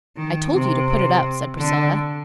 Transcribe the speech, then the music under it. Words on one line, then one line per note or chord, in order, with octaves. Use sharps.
"I told you to put it up," said Priscilla.
D#3
C3
D3